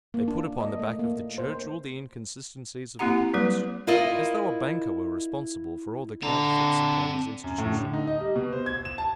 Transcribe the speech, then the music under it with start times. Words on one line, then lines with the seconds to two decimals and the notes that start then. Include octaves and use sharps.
They put upon the back of the Church all the inconsistencies of hypocrites--as though a banker were responsible for all the counterfeits upon his institution!
0.14 A#3
0.28 D4
0.60 D#5
0.79 A3
0.99 A#3
1.38 C5
2.99 A#3 C4 E4 G4 F#5 A#5
3.34 F#3 G3 A#3 B4
3.87 E4 F4 A#4 D5 D#5
6.23 D3 C4 A#5
7.44 F#2
7.58 A2
7.72 D3
7.94 D#4
8.07 D#5
8.20 G3
8.36 B2
8.53 C5
8.66 G#6
8.85 E7
8.98 A5